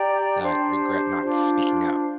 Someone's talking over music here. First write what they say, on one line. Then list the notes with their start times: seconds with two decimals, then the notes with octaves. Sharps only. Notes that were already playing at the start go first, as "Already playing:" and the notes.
not regret not speaking up.
Already playing: G4 D5 G5 A#5
0.41 D4 G4 C5
1.23 D4 F4 C5 F5